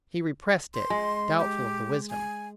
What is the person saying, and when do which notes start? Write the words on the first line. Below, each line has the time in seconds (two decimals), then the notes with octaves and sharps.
He repressed it, doubtful of the wisdom.
0.74 C6
0.90 G#3
1.39 G4
2.10 G#5